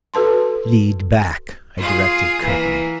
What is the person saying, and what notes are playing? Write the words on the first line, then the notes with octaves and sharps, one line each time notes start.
"Lead back," I directed curtly.
F#4 A4 B4 A5 C6
F4 G#4
E3 A#3